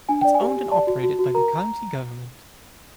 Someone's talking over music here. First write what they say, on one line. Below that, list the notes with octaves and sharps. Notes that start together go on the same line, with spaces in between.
It is owned and operated by the county government.
D4 G#5
D5 G5
G#5
G4
G4
D5 A5
F#4
F#4
F#4
A#4 A#5